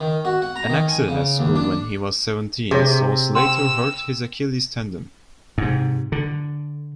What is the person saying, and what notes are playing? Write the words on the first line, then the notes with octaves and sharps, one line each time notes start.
An accident at school when he was seventeen saw Slater hurt his Achilles tendon.
D#3
F#4
F#5
A#5
D#3
G#5
C#3
D#2
D4
C3 G#4 C#5
G5 C6 E6
G#2 C3
D3